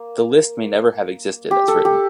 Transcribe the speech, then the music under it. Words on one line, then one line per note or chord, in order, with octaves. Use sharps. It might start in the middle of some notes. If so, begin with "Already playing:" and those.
The list may never have existed as written.
Already playing: A#3
G4
A4
G4